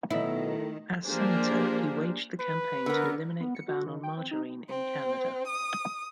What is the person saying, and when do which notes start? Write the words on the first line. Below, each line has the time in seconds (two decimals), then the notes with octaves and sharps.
As Senator, he waged the campaign to eliminate the ban on margarine in Canada.
0.10 B2 D#3 F#3 A3 E4
1.06 F3 A#3 D4 G4 G#4 C5
2.39 B4
2.86 D3 B3 A#4
3.40 B3
3.55 C#7
3.68 F#4
3.87 D#3
4.03 G5
4.17 C4
4.31 D#4
4.69 C4
5.46 D#6